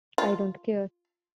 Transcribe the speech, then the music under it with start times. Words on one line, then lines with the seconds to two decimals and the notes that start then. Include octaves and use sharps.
I don't care.
0.18 F4